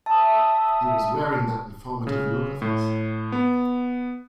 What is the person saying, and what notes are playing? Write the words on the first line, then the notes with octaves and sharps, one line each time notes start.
He was wearing that informative look of his.
E5 A5 D#6
C#3
A2
B3